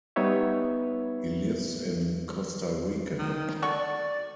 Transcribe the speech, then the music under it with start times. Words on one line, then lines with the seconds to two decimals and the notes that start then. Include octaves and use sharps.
He lives in Costa Rica.
0.16 G3 B3 D#4 B4 C#5 E5
3.19 D#3
3.62 F#4 A4 D5 C#6